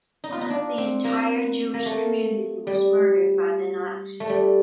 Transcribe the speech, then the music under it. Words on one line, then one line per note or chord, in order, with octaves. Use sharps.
Almost the entire Jewish community was murdered by the Nazis.
D#4
F4
D#4
D4
C4
A#3
A#3
A3
G3
A3
G3